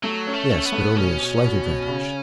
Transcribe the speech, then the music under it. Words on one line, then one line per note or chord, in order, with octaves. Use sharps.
"Yes, but only a slight advantage."
F#3 A3
C#4
A3
C#4
B3
A3
B2 C#4
B2
B2
B2
C#3